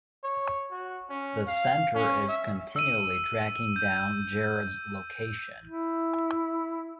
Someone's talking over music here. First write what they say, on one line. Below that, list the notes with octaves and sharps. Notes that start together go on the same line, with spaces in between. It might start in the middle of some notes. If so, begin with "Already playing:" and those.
The Centre is continually tracking down Jarod's location.
C#5
F#4
C#4
F5
C#4
E5
E6 D#7
G6
E4